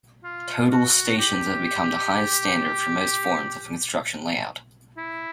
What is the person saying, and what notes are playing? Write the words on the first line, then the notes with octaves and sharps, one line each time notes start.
Total stations have become the highest standard for most forms of construction layout.
F4
F#4
G4
E4